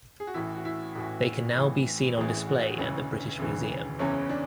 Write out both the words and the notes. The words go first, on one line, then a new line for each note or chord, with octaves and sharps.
They can now be seen on display at the British Museum.
G#4
F#4
A1 A2 E3 E4
F#4
E4
A1 A2 E3 F#4
A1 A2 E3
A1 A2 E3 G#4
F#4
E1 D2 C#3 E3 C#4
E1 D2 C#3 E3
F#1 E2 C#3 E3 C#4
D4